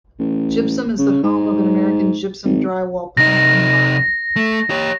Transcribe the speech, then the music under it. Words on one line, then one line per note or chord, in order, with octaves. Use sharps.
Gypsum is the home of an American Gypsum drywall plant and mine.
A1
C#3
G#2
G#1
C3 D#4 A#6
A3
G4 C#5